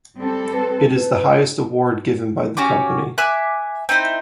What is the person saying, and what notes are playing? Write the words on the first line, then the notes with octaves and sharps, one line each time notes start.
It is the highest award given by the company.
G3 C4 A4
B4
B4
C#4 F#4 G4 D6
E5 G#5 D6 F#6
C4 D#4 E4 C5